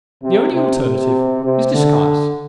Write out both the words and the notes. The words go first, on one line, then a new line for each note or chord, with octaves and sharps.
The only alternative is disguise.
C3
C3
C3
C3
D3